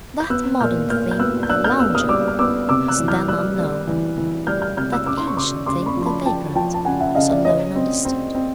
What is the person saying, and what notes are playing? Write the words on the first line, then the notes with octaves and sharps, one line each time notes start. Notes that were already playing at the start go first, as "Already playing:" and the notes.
That modern thing, the lounger, was then unknown; that ancient thing, the vagrant, was alone understood.
G6
B3 E6 F#6
A#2 F6 G6
A#2 F6 G6
G6
B3 E6 F#6
G6
D4 E6 F#6
F6 G6
B3 E6 F#6
D#6 F6
G3 D6 E6
F6
B3 D6 E6
C3 D6 E6
E6 F#6
E3
F6 G6
G3 E6 F#6
G3
E3
E3
G3 F6 G6
F6 G6
C3 F6 G6
E6 F#6
C#3 D6 E6
C6
C#6
C#3 C6 D6
C#3 C6 D6
B5 C#6
F3
C6
A5 B5
F3 G5 A5
F3 G5 A5
A5
C#3 F#5 G#5
E5 F#5
C#3 D#5 F5
D5 E5
C#3 C#5 D#5
C4
C4
C4